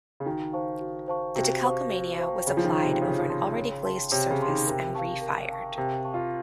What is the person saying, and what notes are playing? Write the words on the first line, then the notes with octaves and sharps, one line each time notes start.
The decalcomania was applied over an already-glazed surface and re-fired.
C#3
D#3 F#4
C5 F5 A5 C#6
F#4
C5 F5 A5 C#6
C3 F#4
C5 F5 A5 C#6
F#4
C5 F5 A5 C#6
C#3 C#5
F3
D#3
A5 C6
C3
C#3 C#5
A5 C6
C#5
A5 C6
C3 C#5
C#3
A5 C6
D#3
C3 A#4
F5 A5 C#6
A#4
F5 A5 C#6
C3 A#4
F5 A5 C#6
F4